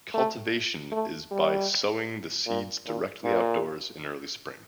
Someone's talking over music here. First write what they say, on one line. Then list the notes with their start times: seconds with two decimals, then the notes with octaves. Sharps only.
Cultivation is by sowing the seeds directly outdoors in early spring.
0.14 A3
0.92 A3
1.31 G3
2.47 A#2
2.86 A#2
3.24 A#2